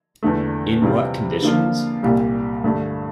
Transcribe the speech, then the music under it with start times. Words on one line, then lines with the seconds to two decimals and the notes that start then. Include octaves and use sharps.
In what conditions?
0.23 E2 D3 A3
0.82 C3 E3 G3 C4 F4
1.42 D3 F3 A#3 F4
2.03 C2 A#2 G3
2.64 G2 D3 A3